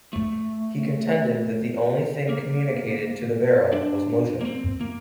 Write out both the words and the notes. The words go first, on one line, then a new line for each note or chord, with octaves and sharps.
He contended that the only thing communicated to the barrel was motion.
A3
A#3
D4
A#3
C4
A#3